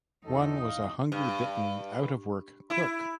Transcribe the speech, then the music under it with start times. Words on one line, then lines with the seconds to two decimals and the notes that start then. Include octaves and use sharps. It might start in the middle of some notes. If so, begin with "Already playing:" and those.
One was a hunger-bitten, out-of-work clerk.
0.25 E2 C#4 D#4 F#4 A4
0.59 F5 D#6
1.12 G2
2.70 E4